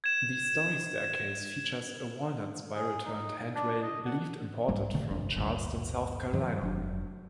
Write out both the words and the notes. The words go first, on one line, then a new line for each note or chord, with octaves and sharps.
The -story staircase features a walnut, spiral-turned handrail believed imported from Charleston, South Carolina.
G#6 E7
G#4
D#4
D4
D#5
F#5
B1 G#2 G3 A#3
B2 D3 D#3 A3
G1 C2 F2 D4
G1 D2 G2 A#2
G2 D#3 F3
F1 F#3 D4